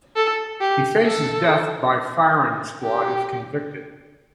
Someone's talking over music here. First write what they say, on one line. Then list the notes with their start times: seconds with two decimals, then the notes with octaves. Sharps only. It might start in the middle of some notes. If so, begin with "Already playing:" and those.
He faces death by firing squad if convicted.
0.16 A4
0.61 G4
1.05 A4
2.83 G4